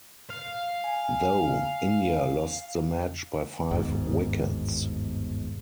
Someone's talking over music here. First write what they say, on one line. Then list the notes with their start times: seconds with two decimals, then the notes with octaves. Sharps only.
Though, India lost the match by five wickets.
0.30 F5
0.84 G#5
3.71 G1 D#2 G#2 B2